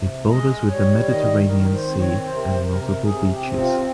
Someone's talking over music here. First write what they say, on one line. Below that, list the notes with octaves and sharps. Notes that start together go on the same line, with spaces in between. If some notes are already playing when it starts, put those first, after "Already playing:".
It borders with the Mediterranean sea and multiple beaches.
Already playing: C3
G#3 D#5
G3 C#5
C#5
D#3 D#5
D#3 A#4
C5
C4
C#5
C3 C5
A#4
C5
C3 A#4
C3 G#4
G4
C4
F4